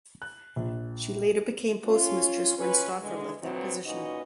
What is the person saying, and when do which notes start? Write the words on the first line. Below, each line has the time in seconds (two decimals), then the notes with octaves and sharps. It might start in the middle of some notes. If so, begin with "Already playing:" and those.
She later became postmistress when Stauffer left that position.
0.22 F#6
0.56 A#1
1.85 C#4 F4
2.57 C#4 F4 B4
3.01 E2 B2 D3 G#3
3.42 D2 B2 F3 F#3 B3 C4
3.85 A#2 C#4 D#4 F#4 B4 D#5